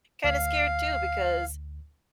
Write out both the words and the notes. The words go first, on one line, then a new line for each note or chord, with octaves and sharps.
kind of scared too because
D2 F5